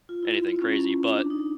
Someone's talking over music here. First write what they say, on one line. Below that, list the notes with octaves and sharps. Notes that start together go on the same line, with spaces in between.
anything crazy, but,
F4
E4
F4
C#4
D4
D#4